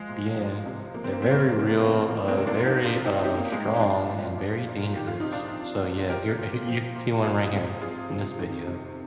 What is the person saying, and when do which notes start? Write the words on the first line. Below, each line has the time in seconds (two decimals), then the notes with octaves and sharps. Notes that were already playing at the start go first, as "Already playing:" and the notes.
Yeah. They're very real, uh, very, uh, strong, and very dangerous. So, yeah, here here you see one right here in this video.
Already playing: F3 G#3
0.09 A#2
0.38 F3
0.66 C3
0.94 F3 A#3
1.04 C4
1.13 A#3
1.22 A#2 C4
1.31 A#3
1.41 C4
1.50 F3 A#3
1.59 C4
1.69 A#3
1.77 A#2 C4
1.87 A#3
2.09 F3 A#3
2.28 G#3 C4
2.37 C3
2.47 A#3 D4
2.66 F3 C4 D#4
2.85 D4 F4
2.95 C3
3.04 D#4 G4
3.18 F4
3.23 F3 D#4 G4
3.38 A#3
3.52 A#2 G#3
3.80 F3 D4 F4
4.09 A#2
4.38 F3
4.67 A#2
4.95 D#3 G4
5.07 F4
5.20 C3 D#4
5.32 D4 F4
5.53 F3
5.81 A#2
6.09 F3 G4 A#4
6.39 A#2
6.67 F3
6.96 A#2
7.24 F3 F4 G#4
7.53 C3
7.81 F3 F4 G#4
8.10 C3
8.39 D#3
8.67 C3